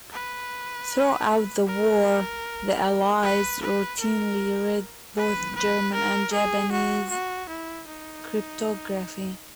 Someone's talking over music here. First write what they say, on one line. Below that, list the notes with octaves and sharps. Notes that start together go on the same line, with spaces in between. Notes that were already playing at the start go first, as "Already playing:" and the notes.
Throughout the war, the Allies routinely read both German and Japanese cryptography.
B4
A#4
B4
B4
A#4
B4
B4
A#4
G#4
F#4
F#4
E4
D#4